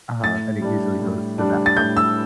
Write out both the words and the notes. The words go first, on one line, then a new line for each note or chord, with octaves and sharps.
Uh-huh. And it usually goes to that company.
A2 A6
G3 D4
A2
G3 D4
A6
A2 G6
E6